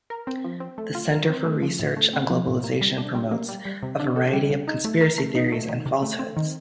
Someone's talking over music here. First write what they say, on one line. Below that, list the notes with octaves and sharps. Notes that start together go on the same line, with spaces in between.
The Centre for Research on Globalization promotes a variety of conspiracy theories and falsehoods.
A#4
C4
F3
C4
A3
F4
A#4
C4
A3
F3
A2
A3
C4
F3
A2
A#3
G3
D4
G3
A#3
G3
G3
C3
D4
A4
G3
C3
D#4
A3
A#4
A3
D#4
A3
D#3
C3
A3
C4
D#3